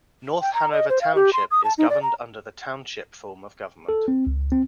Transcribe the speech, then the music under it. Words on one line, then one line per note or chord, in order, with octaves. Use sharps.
North Hanover Township is governed under the Township form of government.
G5
A#5
D#5
C5
F5
G4
C6
D#6
A5
D#4
D5
A#5
A4
C4
C#2
C4